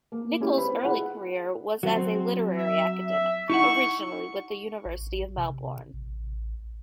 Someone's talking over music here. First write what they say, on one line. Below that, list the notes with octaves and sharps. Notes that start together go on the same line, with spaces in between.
Nicholls' early career was as a literary academic, originally with The University of Melbourne.
A#3
C4 C#4 E4 G4
B4 C5 B5
E4 F4 G#4 F#5 B5
F#3 C4
E5
E5
D#4 E4 F#5 C#6
A1
C3
A1